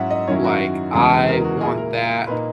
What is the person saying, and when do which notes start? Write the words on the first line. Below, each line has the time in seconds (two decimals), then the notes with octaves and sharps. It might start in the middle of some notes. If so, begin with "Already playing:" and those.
like, "I want that
Already playing: G#2 F#3 C#4 E4 E5 F#5
0.10 D#5
0.27 F#2 D#3 F#3 C#4 E4 C#5
0.44 F#4
0.94 E2 C#3 E3 G#3 G#4
1.28 A#4
1.44 F#4
1.61 A#2 A#3 E4 G#4
1.78 A#4
2.27 A#2 A#3 D#4 B4